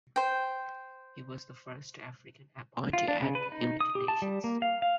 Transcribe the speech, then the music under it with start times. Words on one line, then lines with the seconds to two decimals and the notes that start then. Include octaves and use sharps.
He was the first African appointee at the United Nations.
0.16 C5 G5
2.93 F4
3.08 D4
3.22 C#3
3.35 B4
3.52 D#4
3.80 D#6
3.95 G4
4.08 A5
4.22 G3
4.44 A#3
4.62 F5
4.82 F5